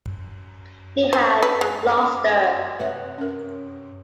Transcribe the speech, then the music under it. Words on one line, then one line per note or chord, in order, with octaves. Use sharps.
He had lost her.
C5
B4
G#3
C3 B4 C#5 E5 F#5
C#4 A#4